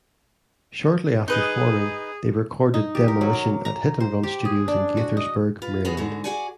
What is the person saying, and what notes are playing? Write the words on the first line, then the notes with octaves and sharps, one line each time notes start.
Shortly after forming, they recorded "Demolition" at Hit and Run Studios in Gaithersburg, Maryland.
D#4 G#4 B4 D#5
D#4
G4
A#4
F#3
D6
A#5
C5
G4
G#4
D4
F#4
D#5
F4 B4
B3 C#4 F#4 G#4
G#2 D3 F#4
F#4 G#4 D5 F#5 G#5